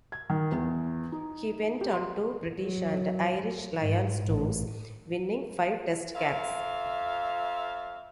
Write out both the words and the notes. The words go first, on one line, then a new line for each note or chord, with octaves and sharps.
He went on two British and Irish Lions tours, winning five test caps.
G#6
D#3
E2
D#4
G4
C6
F#3
G#2
A1
F2 E5 F5